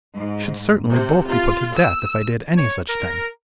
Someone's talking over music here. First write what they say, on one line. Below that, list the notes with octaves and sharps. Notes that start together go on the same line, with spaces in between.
'We should certainly both be put to death if I did any such thing.'
G#2
C3
F4
E6
C#5
A#4